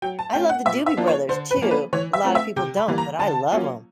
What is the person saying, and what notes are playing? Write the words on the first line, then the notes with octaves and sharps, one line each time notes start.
I love the Doobie Brothers too. A lotta people don't, but I love 'em.
F#3 G5
A5
A3 C#4 F4 G5
F#5
A#2 E5
E5
F3 A#3 D4 F4
C#5
D3 C5
B4
F3 A#3 C#4
B4
E3 C#5
E5
A3 C4 F4
E5
C3 G5
B5
E3 G3 A#3
A#5
D3 A5
F#3 A#3 C#4 F4